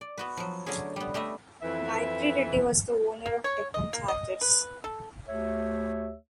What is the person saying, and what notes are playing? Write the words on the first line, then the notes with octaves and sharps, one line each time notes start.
Gayatri Reddy was the owner of Deccan Chargers.
D5
B3 F#4 B4
F3 F#3
D3 F#3 A3 C#4 G#4
G3 B3
G3 A3 D#5 E5
F2 E3 E5
A#3
C#5
D#5
A#3
D#5
B4
A4
D2 A3 G4 C#5 E5